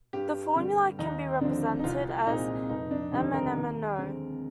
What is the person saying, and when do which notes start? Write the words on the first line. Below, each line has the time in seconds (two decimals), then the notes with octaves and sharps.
The formula can be represented as MnMnO.
0.13 G2 G4
0.56 D3 G3
0.99 D#2 D#4
1.41 D3 F3 C4 D4
1.79 D#4
1.84 C2 F4
2.27 A#2 G#3 C4 D#4
2.69 F1 D#4
2.91 D4
3.13 D#2 D3 G3 C4 D#4
3.34 A#4
3.55 D#2
3.97 D3 G#3 C4